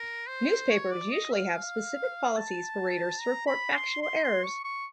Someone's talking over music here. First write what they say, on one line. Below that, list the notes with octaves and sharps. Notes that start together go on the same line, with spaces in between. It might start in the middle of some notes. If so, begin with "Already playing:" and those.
Newspapers usually have specific policies for readers to report factual errors.
Already playing: A#4
C5
C#5
D5
D#5
F5
A5
A#5
B5
C6
C6
C6
C#6
C#6